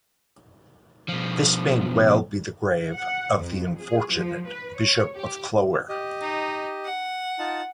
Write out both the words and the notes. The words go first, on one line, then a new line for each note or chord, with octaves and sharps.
This may well be the grave of the unfortunate Bishop of Clogher.
B2 F3
F#5
F2
G#4
F3
B4
C#5
G4
G4 D#5
D#4
F#5
D#4 F4 A5